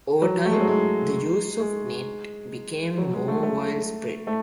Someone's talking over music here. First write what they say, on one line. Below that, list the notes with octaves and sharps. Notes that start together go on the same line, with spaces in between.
Over time, the use of kente became more widespread.
F#3
A3
G#3
F#3
G#3
G#3
F#3
G#3
A3
A3
A3